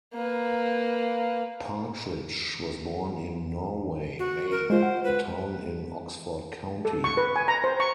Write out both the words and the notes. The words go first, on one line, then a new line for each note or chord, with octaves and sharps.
Partridge was born in Norway, Maine, a town in Oxford County.
A#3 B4
F#4
A#4
G#3 F4 C5
F#5
B4
A4
C#6
B4
G#5
A#5
C5
C#6